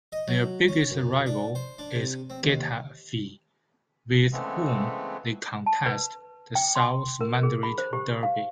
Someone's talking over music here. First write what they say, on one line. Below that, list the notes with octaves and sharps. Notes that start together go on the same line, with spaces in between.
Their biggest rival is Getafe with whom they contest the South Madrid Derby.
D#5
F#3
C#4
F#2
D4
C5
D4
C3
C4
D#2
C#3 E3 G#3 A3 B3 C4
A5
B4
G5
C6
A#4
G#4
B5
C5
G4
F5